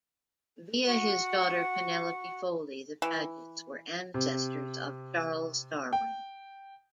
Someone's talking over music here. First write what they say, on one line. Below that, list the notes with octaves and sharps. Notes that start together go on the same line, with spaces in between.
Via his daughter Penelope Foley the Pagets were ancestors of Charles Darwin.
F#4 F#5 C#6
E3
C3
G5